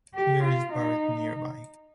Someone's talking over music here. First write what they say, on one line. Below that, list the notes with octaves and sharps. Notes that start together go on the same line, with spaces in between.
Heer is buried nearby.
G4
F4
D#4